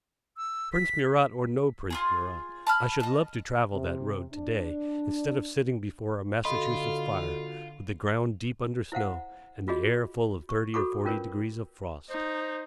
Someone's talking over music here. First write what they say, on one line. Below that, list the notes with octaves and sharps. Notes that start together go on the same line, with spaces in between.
Prince Murat, or no Prince Murat, I should love to travel that road to-day, instead of sitting before a Massachusetts fire, with the ground deep under snow, and the air full of thirty or forty degrees of frost.
E6
B6
F4 F#4 G#4
A5 B5 F6
D#5 A5
C3
D4
D3 F4 F#4 A4 D#5 B5 C6
E4 C5 F5 F#5
F4 F#4 G#4 C#5 D#5
C#6
F#4 A4 C#5 B5 C#6 D6
C#4 F4 A#4 B4 C#5
D#4 C5